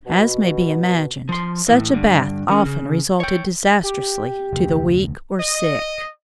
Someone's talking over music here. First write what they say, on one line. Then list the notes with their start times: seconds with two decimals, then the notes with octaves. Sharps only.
As may be imagined, such a bath often resulted disastrously to the weak or sick.
0.05 B2
1.29 F3 C6
1.68 A2 E3
1.93 G2 D3
2.48 D#3 C#4
2.65 C#3
3.20 C#5 G5
3.83 G4
4.53 F1 D2
5.40 D#5